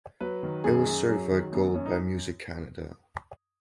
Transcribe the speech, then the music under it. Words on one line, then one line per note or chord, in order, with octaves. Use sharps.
It was certified Gold by Music Canada.
F#3 B4
D#3
F#2 G#4
F#2
F#3
D#3
F#2 B3
F#2 C#4
D#4